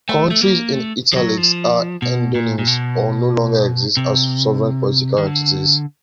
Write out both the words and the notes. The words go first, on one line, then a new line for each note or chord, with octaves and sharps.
Countries in "italics" are endonyms or no longer exist as sovereign political entities.
A3
A3
A#3
A3
F3
F#3
F3
B2
A#2
A#2
B2
C3
D#3
D3